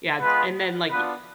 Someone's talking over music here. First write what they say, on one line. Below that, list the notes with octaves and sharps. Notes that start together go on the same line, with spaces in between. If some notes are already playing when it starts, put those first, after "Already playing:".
Yeah d and then, like
G#3 B3 F4 B4
B3 D4 F4 B4